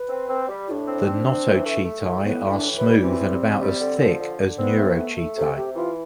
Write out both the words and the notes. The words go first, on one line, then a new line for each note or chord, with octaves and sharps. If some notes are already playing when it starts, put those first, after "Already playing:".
The notochaetae are smooth and about as thick as neurochaetae.
Already playing: B4
C4
C4
G3
A2 D4 F4
C4
C4
C4
E3
A3
A3
E3
A2 B3
E3
D4
A2
B4
G3
E3 C4
G3
C3
G3
D3
F3
D3
D3
B3 C4
A3
A3
A3
C3 A4
C3 G4
E3 F4